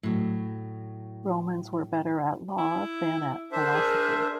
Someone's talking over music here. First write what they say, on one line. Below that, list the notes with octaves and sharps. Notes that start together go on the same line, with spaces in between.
Romans were better at law than at philosophy.
A2 F#3
E4
D4 A#4 C5 E5
G#4